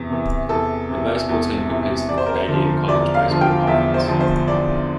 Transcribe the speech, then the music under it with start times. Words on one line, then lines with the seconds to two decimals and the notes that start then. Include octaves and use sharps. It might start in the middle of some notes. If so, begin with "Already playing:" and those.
The baseball team competes in the Canadian College Baseball Conference.
Already playing: E2 C3 E3
0.10 C3 E3
0.49 E2 A4
0.90 C3 E3
1.29 E2
1.69 C3 E3
2.08 E2 D5
2.18 C5
2.26 A#4
2.36 C5
2.48 D3 F3
2.88 E2 D5
3.14 F5
3.28 D3 F3
3.41 G5
3.67 E2 E5
3.94 C5
4.08 D3 F3
4.20 C5
4.47 E2 D5